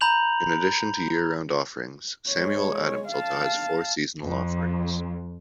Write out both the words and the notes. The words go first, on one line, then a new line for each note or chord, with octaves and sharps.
In addition to year-round offerings, Samuel Adams also has four seasonal offerings.
A#5 B5 G6 F7 F#7
G#3 C#5
F5 A5
F2